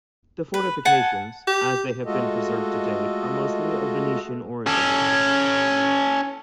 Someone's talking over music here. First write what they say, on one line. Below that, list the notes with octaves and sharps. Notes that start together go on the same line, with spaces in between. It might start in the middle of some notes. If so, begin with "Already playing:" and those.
The fortifications, as they have been preserved to date, are mostly of Venetian origin.
B4
F#5 G#5 A5
G4
G#3 A3 F4 F#4 A4 D#5
C#4 A4